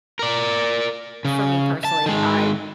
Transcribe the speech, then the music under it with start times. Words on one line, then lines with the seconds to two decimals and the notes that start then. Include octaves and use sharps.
for me personally, I,
0.19 A#4 D5
1.25 C#3
1.85 A5
2.06 D#3 G#3